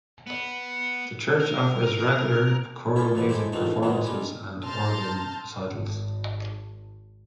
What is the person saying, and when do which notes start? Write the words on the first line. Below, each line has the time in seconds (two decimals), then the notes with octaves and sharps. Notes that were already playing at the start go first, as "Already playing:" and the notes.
The church offers regular choral music performances and organ recitals.
0.27 B3
1.40 A#4
2.96 E4 F4 A4 B5
3.15 E2 B2 F#3 A#3 B5
3.29 G#3 E4 G4 A4 C5
3.52 E2 A#2 F3 A3 C4 D#4
3.83 B2 D#3 F3 G#3 B3
4.04 G3 G#3 D4 D#4
4.63 A5 A#5 C6 F6 G6 A6
5.69 G#1